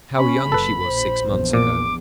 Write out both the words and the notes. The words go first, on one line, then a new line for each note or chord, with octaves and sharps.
How young she was six months ago!
C#4 B5
F#1 A4 B4
A#1 C5
A#1 E2
A#2 D6